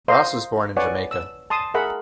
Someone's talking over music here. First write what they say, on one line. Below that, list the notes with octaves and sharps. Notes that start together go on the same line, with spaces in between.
Ross was born in Jamaica.
C5 D#5 F5 A#5 C6
B4 C#5 D5 F#5 G#5
E6
A5 C6 D#6
G#4 A#4 E5 F#5 B5